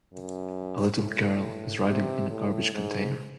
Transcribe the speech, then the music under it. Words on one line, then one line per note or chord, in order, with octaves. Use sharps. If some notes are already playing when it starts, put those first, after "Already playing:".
A little girl is riding in a garbage container.
F#2
A2
C3
A2
G#2